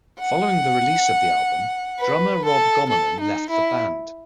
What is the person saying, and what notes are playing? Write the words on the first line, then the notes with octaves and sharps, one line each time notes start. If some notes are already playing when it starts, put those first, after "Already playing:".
Following the release of the album, drummer Rob Gommerman left the band.
F#5
B4
A4
A4
D#4
E4